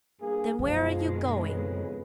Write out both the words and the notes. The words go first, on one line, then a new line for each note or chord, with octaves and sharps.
"Then where are you going?"
G2 A#3 G#4
F#2 B2 D#3 F3 G#3
F2 C#3 B4